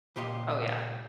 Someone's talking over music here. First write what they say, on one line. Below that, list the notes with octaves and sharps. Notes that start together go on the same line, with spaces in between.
Oh, yeah.
C#2 A#2 G4 C5 D#5